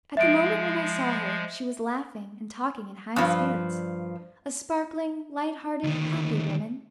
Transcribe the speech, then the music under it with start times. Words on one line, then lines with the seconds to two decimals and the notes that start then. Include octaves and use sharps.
At the moment when I saw her she was laughing and talking in high spirits--a sparkling, light-hearted, happy woman.
0.17 F3 G#3 E5 D7
3.16 G2 F3
5.83 D2 D#3